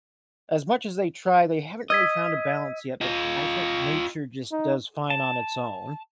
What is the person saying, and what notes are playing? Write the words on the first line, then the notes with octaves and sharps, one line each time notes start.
as much as they try, they haven't really found a balance yet, but I think nature just does fine on its own.
D#5 E6 G#6 B6
F4 D#5
D#4
A5